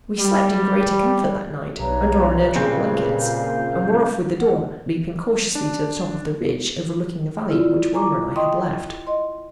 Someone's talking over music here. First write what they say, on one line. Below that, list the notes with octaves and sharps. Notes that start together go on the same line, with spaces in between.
We slept in greater comfort that night, under our inertron blankets, and were off with the dawn, leaping cautiously to the top of the ridge overlooking the valley which Wilma and I had left.
G3
B1 G2 B4 C#5 A#5
A#2 C#3 C4 G#4
F5 G6
F#5
D4
E4 F4 D5
G#5 A#5 C#6 D6
D#5 E5 G5 C6 C#6 D#6
D#5 C6